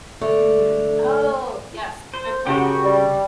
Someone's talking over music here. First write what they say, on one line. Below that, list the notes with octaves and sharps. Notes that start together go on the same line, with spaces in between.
Mhm. Oh! Yes, good point.
D3 A3
C5
F#2 C#3 F#4 G4 G5
G3